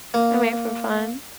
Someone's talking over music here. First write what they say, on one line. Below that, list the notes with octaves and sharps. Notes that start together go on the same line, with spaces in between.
I might for fun,
A#3